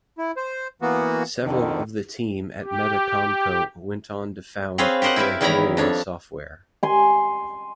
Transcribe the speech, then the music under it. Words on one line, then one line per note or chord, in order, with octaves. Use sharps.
Several of the team at MetaComCo went on to found Perihelion Software.
E4
C5
E3 A#3 B3 F#4
F2 D3 D#3
G4
C4 G#4 B4 C#5 F5
G4 A#4 C5 D#5 F#5
E4 A#4 B4 E5
E2 D#3 E4 C#5 A#5 B5
F2 D4 C#5
G#5 C6